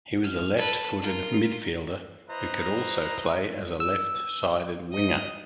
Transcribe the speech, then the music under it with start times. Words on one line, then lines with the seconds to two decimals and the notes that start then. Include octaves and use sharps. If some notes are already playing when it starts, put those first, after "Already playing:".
He was a left-footed midfielder who could also play as a left sided winger.
0.23 F6
0.57 A4 B4
1.01 F4 A#4
2.29 E4 B4 C5 D#5 A#5
3.80 E6
4.94 D#5